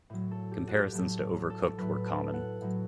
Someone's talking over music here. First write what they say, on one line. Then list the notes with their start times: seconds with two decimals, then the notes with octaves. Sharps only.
Comparisons to "Overcooked" were common.
0.10 A2 F#3
0.31 A4
0.52 G4
0.68 F#4
0.74 G4
0.93 A2 F#3 A4
1.50 A4
1.78 A2 F#3 B4
2.06 A4
2.34 F#5
2.62 A2 F#3